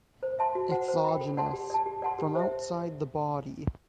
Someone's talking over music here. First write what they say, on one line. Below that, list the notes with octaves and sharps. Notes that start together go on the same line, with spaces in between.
Exogenous: from outside the body.
C5
E5 A5 C6
F#4
C5 F#5
C5
G5 B5
A4
D5 F#5 A5 C6
G4
D5 A5
G4
D5 F#5 A5 C6
G4
C5 E5